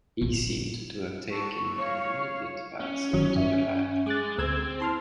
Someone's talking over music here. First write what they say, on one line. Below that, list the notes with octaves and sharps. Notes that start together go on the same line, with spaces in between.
He seemed to have taken an immediate fancy to the lad.
A#1
A4 C#6
C#5 F5
C#4
G1 D#3 F#3 C#5
G2 E5
G#3 G#4 D6 F#6 A6
D2 C4 E6 G#6
E4 A5 C6 F6